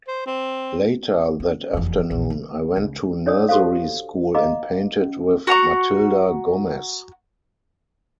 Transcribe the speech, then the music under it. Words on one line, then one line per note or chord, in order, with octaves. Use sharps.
Later that afternoon, I went to nursery school and painted with Matilda Gomez.
C5
C4
C#4
F1 E2
D#1 A#1
D#3 A#3
C#2
D4 C#5 D5 D#6
F#4 G4 A4 C5 F5
D#5 F5 A#5 D6
C#4
F#4 F#5 A#5 C#6